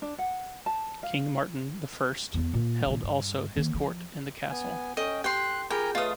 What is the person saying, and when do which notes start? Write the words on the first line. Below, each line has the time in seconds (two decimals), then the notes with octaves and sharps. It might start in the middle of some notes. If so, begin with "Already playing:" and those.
King Martin the First held also his court in the castle.
0.02 D4
0.18 F#5
0.66 A5
1.03 F5
2.34 E2 B3
2.53 A#2
2.86 A#2 D#3
3.03 G2
3.57 D#3 A#3
3.75 F3
4.51 B3 G#5
4.97 C#4 A4 D#5 G5
5.24 G4 G5 C6 F#6
5.70 F4 G#4 A#4 G5 G#5 A#5 B5
5.95 A3 F4 B4 C#5 D#5 F5 D#6